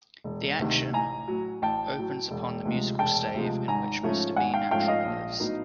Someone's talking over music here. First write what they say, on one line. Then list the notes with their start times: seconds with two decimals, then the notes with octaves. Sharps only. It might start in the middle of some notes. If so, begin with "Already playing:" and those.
The action opens upon the musical stave in which Mr. B Natural lives.
0.24 E1
0.59 D2 C3 D#3
0.93 A1 G#5 A#5
1.28 A2 F#3
1.62 A1 G5 A5
1.97 A2 F#3
2.31 E1
2.65 D2 C3 F3 G#3
2.99 E1 G5 A5
3.34 D2 C3 F3 G#3
3.68 G#1 G#5 A#5
4.03 G#2 F3 A3 C#4
4.36 G#1 F#5 G#5
4.54 F5 G5
4.71 G#2 F3 A3 C#4 F5 G5
4.88 D#5 F5
5.05 A#1
5.40 A2 F#3 B3 D#4